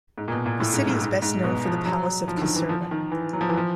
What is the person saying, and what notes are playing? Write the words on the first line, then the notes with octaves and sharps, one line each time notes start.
The city is best known for the Palace of Caserta.
G#2
A#2
B2
A#2
A2
G#2
G2
G#2
G#2
B2
F3
F#3
F3
D3
D#3
E3
F3
D#3
E3
F#3
F3
E3
F3